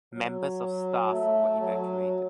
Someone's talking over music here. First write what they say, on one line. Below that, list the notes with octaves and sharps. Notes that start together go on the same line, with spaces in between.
Members of staff were evacuated.
F#3
A3
F#3